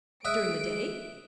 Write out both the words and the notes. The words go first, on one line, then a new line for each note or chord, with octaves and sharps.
"During the day?"
G#3 D#5 E5 D#6 F#6 D7